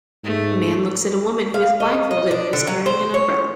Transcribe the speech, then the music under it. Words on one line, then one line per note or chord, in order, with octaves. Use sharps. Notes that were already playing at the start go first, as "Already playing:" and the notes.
A man looks at a woman who is blindfolded and is carrying an umbrella.
G#2 A3
F5
D#5
D#5
D4
D3
F#3
C5
C#5